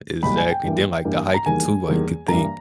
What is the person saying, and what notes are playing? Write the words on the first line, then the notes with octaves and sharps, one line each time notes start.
Exactly. Then, like, the hiking too, like, you could think
B1 A#2 G3 A#3 B5
G#5
G5
G2 E3 A#3
G2 E3 A#3
A#5
E2 D#3 G3 A#3 G#5
E2 D#3 G3 A#3
G2 E3 G3 A#3 A#5